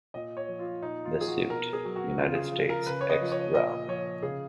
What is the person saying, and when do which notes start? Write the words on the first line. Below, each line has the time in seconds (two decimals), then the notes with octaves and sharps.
The suit, United States ex rel.
0.14 A#2 D#5
0.37 C#5
0.48 F3
0.59 F4
0.82 A#2 D#4
1.05 F4
1.17 F3 G#4
1.28 F#4
1.50 B2 A#4
1.73 G#4
1.85 F#3
1.96 F#4
2.18 C#3 F4
2.35 G#4
2.52 F3
2.69 A#4
2.87 C#3 B4
3.01 C#5
3.09 D#5
3.21 F3
3.32 C#5
3.55 A#2 D#5
3.88 F3 C#5
4.23 C#3 G#4